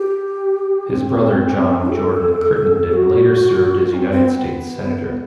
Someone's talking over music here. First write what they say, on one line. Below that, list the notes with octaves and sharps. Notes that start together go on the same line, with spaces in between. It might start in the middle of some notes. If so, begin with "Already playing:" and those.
His brother John Jordan Crittenden later served as United States Senator.
Already playing: G4
C4
A4
F#4
C4
C4
B3